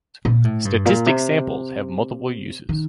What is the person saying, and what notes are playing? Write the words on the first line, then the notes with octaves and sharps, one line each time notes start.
Statistic samples have multiple uses.
A#2
A2
G2
A#2
C3
D#3